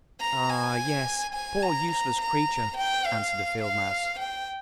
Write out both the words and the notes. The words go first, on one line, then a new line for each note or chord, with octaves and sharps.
'Ah, yes, poor useless creature,' answered the field-mouse.
A#5
G#5
G#5
A#5
A#5
A#5
G5
F5
F5
G5